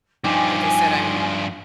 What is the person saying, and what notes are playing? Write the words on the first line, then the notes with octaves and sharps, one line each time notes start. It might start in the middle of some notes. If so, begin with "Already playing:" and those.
like I said, I'm
G2 F3 D#4 G5 G#5 D6